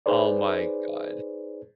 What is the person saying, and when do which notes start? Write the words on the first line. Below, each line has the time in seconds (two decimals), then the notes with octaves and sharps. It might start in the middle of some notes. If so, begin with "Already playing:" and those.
Oh my god.
0.06 D#4 G#4 B4 C5 D5